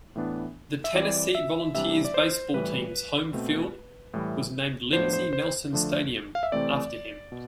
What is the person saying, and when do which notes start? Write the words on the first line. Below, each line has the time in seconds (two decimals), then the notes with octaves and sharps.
The Tennessee Volunteers baseball team's home field was named Lindsey Nelson Stadium after him.
0.15 A2 E3 B3 D4
0.84 E5
0.95 E3 G3 C4 D5
1.35 E5
1.74 C3 E3 G3 D4 E5
2.05 D5
2.14 C5
2.54 A2 E3 G3 B4
3.33 B2 A3 C4
4.14 A2 E3 G3
4.93 A2 F3 B3 D4 C5
5.13 C5
5.33 C5
5.73 D3 F3 A3 D4
6.35 F5
6.43 E5
6.52 C3 E3 A3 C4 D5
7.32 B2